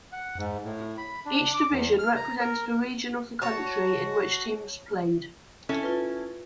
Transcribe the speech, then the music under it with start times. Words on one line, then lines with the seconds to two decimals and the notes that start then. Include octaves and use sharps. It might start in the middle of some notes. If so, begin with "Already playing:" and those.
Each division represented a region of the country in which teams played.
0.12 F#5
0.38 G#2
0.65 A2
0.98 B5
1.26 D4
1.54 D6
1.71 E2
1.99 F6
2.16 A#5
2.40 A#4
3.42 F#4 C#5 A5
5.69 C#4 E4 A4
5.83 F4 B4